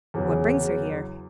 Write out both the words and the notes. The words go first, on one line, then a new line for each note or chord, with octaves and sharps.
"What brings her here?"
E2 C#3 F#3